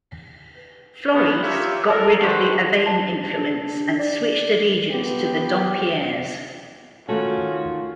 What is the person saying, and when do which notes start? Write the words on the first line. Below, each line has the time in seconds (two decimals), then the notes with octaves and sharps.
Floris got rid of the Avesnes influence and switched allegiance to the Dampierres.
1.12 D3 D#3 F#3 G#3 B3
1.42 A#3 F4 G4 C#5 E5
1.87 A4 A#4
2.20 D4 F#4 G4 A4 B4 C5
2.86 A5
3.37 D4
3.99 D5
4.90 F3 B3 G4
7.09 D#3 A3 C#4 F4 F#4 A4